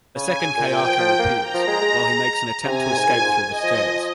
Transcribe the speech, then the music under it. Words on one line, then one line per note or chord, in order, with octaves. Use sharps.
A second Kayako appears, while he makes an attempt to escape through the stairs.
C#3 G#5
C#3
A#2 G5
A#2
F3
F3
A#3
A#5
F3
G#3
G#3
C3 G#5
G#2
A#2
G#2
D#5
F3
F3